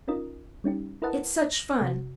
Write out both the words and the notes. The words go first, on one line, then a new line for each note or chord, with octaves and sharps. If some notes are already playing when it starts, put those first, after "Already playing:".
It's such fun!
C#4 D#4 F4 A#4 D#5
G3 C#4 D#4 G4
E4 A#4 B4 D#5 F#5 A5
A#6
C3 F#4